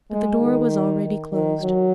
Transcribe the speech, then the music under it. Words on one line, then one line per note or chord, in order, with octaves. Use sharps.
But the door was already closed.
G#3
D#3
D#3
F#3